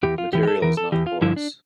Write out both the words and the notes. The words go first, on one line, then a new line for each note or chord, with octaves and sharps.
The material is non-porous.
E2 E3 G4
F4
E2 E3 G4
G4
A4
E2 E3 A#4
A4
E2 E3 G4
F4
G2 D3 F3 E4
D4